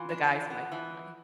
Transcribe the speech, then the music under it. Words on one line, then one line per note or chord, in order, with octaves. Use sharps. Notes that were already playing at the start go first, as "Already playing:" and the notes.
the guys in my family.
Already playing: E3 F4
D4
E3
B3
E3